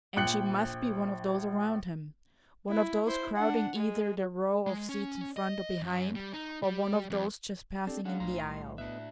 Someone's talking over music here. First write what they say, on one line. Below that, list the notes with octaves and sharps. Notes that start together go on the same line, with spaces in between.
And she must be one of those around him--one of those crowding either the row of seats in front or behind, or one of those just passing in the aisle.
A#1 G5 F#6 C#7 F#7
E4
E4 C5
D4 F#5
G#3
G#3
C#4
D#5
F#2
G3
D#4
G3
F2
C4 D4 G4 A4 D5
F#3 G#3 C#4 D4 F5 F#5
B1 A2 A#5 C6
G3
A2 B3 D4 D#5 E5 F#6